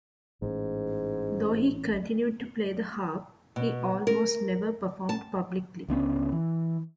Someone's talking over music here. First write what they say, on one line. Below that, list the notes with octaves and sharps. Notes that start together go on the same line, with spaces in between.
Though he continued to play the harp, he almost never performed publicly.
A1 G#2
B2
A#4
A5
C#2 D3 B3 C#4
E3